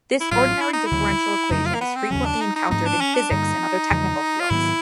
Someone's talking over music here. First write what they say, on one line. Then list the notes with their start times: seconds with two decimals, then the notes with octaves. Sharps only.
This ordinary differential equation is frequently encountered in physics and other technical fields.
0.21 E4
0.31 A1 A2 F#3 F4
0.61 E4
0.73 D#4
0.86 E4
0.91 D2 C#3 F#3
1.50 F2 C#3 F#3 A3 D#4
1.66 F4
1.75 A#3
1.81 B3
1.96 C4
2.11 D#2 C#3 F#3 C#4
2.26 D4
2.41 D#4
2.56 D#4
2.70 G#2 F3 A3 C4 D#4
2.86 D4
3.01 C#4
3.15 D4
3.30 G2 D3 G3 A#3 D#4
3.91 E2 C#3 F3 G#3
4.40 F4
4.50 G#2 D#3 F#3 B3 E4